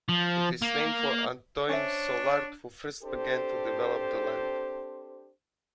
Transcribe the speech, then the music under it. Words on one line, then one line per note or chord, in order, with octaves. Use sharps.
It is named for Antoine Soulard, who first began to develop the land.
F3
A#3
C#4 D4 C5 C#5 E5
C4 D4 G4 A4 C5